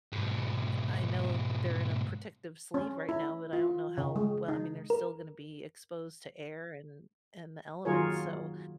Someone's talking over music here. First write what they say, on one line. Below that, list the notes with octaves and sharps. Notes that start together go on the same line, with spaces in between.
I know they're in a protective sleeve right now, but I don't know how well, I mean, they're still gonna be exposed to air and and the elements, so,
G#2 B2
C#4
E4
F4
C#3
G#3
D#4
A#4
D#3 F#3 F4 G#4 A#4 C#5